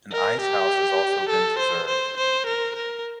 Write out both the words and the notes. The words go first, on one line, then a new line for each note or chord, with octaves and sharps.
An icehouse has also been preserved.
A#4
G4
A4
C5
C5
C5
A#4
A#4